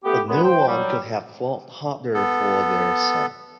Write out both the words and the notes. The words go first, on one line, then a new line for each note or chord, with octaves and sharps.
But no one could have fought harder for their son.
A3 B3 G4
F#2 G#3 B3
C5 G5
F#3 G3
B3 A4